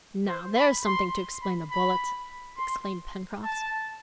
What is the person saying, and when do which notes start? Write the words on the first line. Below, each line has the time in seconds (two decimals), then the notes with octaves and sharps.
"Now there's something to explain the bullet!" exclaimed Pencroft.
0.27 C5
0.56 B5
0.85 C6
1.41 B5
1.71 B5
2.57 C6
3.44 A5